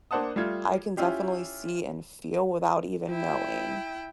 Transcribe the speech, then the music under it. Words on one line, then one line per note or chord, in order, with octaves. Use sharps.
I can definitely see and feel without even knowing,
A#3 D4 C5 F#5 A5 D#6
G3 A3 F4 G#6
C#4 E4 F4 G4
E4 G5